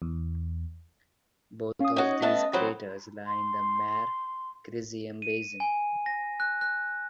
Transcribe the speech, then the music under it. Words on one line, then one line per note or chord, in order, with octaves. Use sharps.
Both of these craters lie in the Mare Crisium basin.
E2
C#4 F5 D#6
D#4 F#4 C#5
A3 B3 D#5 A5
E3 F#3 C4 B5
C6
D#7
G#5
A#6
F#6
F#6